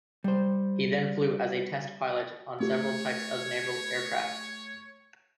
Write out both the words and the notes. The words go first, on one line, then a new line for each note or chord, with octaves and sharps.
He then flew as a test pilot on several types of naval aircraft.
G3 C5
A3 G4 C#5